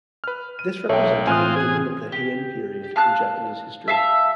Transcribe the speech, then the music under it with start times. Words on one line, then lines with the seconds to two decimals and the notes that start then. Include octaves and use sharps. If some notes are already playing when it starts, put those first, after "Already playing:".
This represented the beginning of the Heian period in Japanese history.
0.24 B4 F6
0.59 D#7
0.89 B1 A4 C#5 E5 G5
1.27 A2 E3 C4 F4 G#5 D#6 F#6
1.56 G#4
2.12 G4
2.96 F5 A5 F6 F#6
3.88 E5 F5 A5